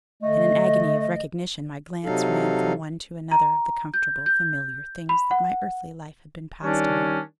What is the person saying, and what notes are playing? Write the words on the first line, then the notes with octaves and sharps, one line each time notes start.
In an agony of recognition my glance ran from one to another of the comfortable, familiar things that my earthly life had been passed among.
D3 A3 D#5
C3 F#3 D#4 A4 F5
A#5
G6
G6
B5
F#5
D#3 G3 C#4 D4